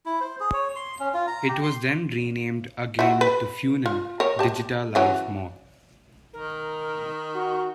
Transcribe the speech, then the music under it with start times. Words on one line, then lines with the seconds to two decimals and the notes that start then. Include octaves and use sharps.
It was then renamed again to Funan DigitaLife Mall.
0.06 E4
0.21 C5
0.40 G#4
0.53 C#5
0.76 C6
1.00 C#4
1.14 F4
1.27 A#5
1.48 G4
1.63 C6
2.99 E4 F#4
3.21 B4
3.86 F4
4.20 A#4 C#5
4.39 G4 A5
4.95 E3 F#3 C#4
6.33 D#3 A#4
7.34 F#4